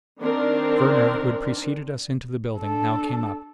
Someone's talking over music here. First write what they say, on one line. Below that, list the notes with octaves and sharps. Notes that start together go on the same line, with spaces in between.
Werner, who had preceded us into the building, now came up.
D#3 C4 D4 A#4
D4 A4